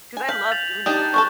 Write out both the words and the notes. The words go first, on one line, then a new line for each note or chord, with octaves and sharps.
'cause I love UNO,
G#5
F5 G6 B6 F#7
A6 F7 F#7
F7
D4 D#4 G4 D#6 G6 E7
A4 A#4 C5 C#6 F#6